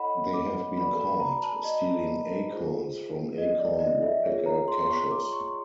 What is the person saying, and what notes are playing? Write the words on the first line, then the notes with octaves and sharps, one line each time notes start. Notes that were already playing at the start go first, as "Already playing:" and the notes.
They have been caught stealing acorns from acorn woodpecker caches.
Already playing: E4 A4 C#5 D#5 F#5 B5
D6
F#4 B4 D5 B5
B5
A#5
A5
D#5
F4 G#4 C5
D#5
D5
D#5
E5
F4 G#4 C#5
A#5
C6
C6
C#6
D6
C#6
C#6